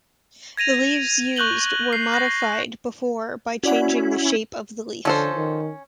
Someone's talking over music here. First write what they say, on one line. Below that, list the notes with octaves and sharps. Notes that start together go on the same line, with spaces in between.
The leaves used were modified before by changing the shape of the leaf.
G#6 A#6 D#7 F7
C#6 F#6 G6 F#7 G7
C7
G6 A#6
C#4 E4 F#4 D5 F#5
D3 F3 C#4 A4 C5
D#3